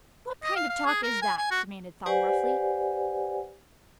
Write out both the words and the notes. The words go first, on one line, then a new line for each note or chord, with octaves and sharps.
"What kind of talk is that?" demanded Thong roughly.
D#5
F5
F5
G#4
A#4
G#5
G#5
F#4
G4 B4 C5 D5 F#5 G#5